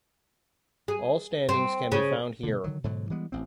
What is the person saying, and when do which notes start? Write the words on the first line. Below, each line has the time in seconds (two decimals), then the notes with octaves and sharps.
All standings can be found here.
0.88 G#4
1.49 C4
1.92 C#3
2.43 B2 D3
2.64 D3 D#3 F#3
2.84 G#2 B2 D3 F#3
3.10 E3 G3 G#3 B3
3.32 A1 C4